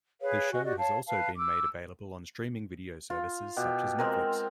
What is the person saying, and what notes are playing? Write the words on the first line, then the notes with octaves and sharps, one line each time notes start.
The show has also been made available on streaming video services such as Netflix.
G#4 B4 C#5 F5
F#4 D#5 G#5
F#4 G4 D5 D#5
C#5 F5 A5
B4 F5 A5
D6 E6
F4
B2 G4
G#3 C4 A#4